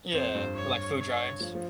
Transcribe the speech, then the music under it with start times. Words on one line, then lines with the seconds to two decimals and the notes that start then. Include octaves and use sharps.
Yeah, like food drives.
0.12 F2 C5
0.35 G2
0.55 C#5
0.98 C#5
1.40 F3
1.55 F3